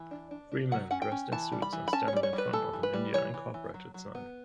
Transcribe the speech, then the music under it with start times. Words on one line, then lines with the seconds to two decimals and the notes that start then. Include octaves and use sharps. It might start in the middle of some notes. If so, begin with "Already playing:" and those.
Three men dressed in suits are standing in front of a India Inc. sign.
Already playing: E3
0.11 D4
0.31 D4
0.52 D4
0.71 F#3 F#5
0.91 C#4 F#5
1.02 G5
1.12 C#4
1.32 E3 A5
1.52 G3
1.62 B5
1.73 E3
1.88 B5
1.93 C#4 A5
2.08 C#5
2.13 G3 D5
2.23 C#5
2.33 G3
2.38 B4
2.53 E3 A4
2.73 E3
2.83 B4
2.93 G3
3.14 E3 C#5
3.34 E3
3.54 E3
3.74 F#3
3.94 F#3
4.15 B3